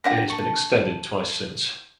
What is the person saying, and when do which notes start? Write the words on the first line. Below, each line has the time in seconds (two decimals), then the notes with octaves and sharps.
It has been extended twice since.
0.04 A#3 D4 G4 F#5 A#5
0.28 A5 C#6